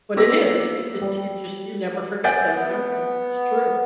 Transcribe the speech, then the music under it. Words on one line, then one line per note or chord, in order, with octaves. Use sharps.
but it is, it's it's you just you never forget those memories. It's true.
A#3 B3 G4 D6 E6 A#6
G3
E5 F#5 G#5 G6 A6 D7
B3